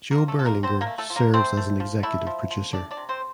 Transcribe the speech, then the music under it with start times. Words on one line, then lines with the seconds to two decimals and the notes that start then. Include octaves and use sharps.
Joe Berlinger serves as an executive producer.
0.11 A#3 A#4
0.16 F3
0.28 A3 A4
0.39 F3 A4
0.46 A#3 A#4
0.63 D3 C4 C5
0.81 A#3 A#4
0.87 A3
0.98 A3 A4
1.10 F3
1.16 A#3 A#4
1.34 A3 C4 C5
1.57 A3
1.80 F3
2.03 A3 E4 E5
2.27 F3
2.51 F3
2.73 A3 D4 D5
2.91 D4 D5
2.97 C3
3.09 C4 C5